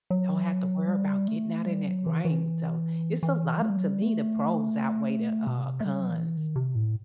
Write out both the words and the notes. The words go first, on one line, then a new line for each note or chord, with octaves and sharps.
Don't have to worry 'bout getting out in that rain, so, it's a lotta to me, the pros outweigh the, uh, cons.
F#3
G3
A3
G3
F#3
E3
E3
E3
A3
G3
F#3
G3
A3
B2
C3
A3
G3
F#3
E3
D#3
C3
A2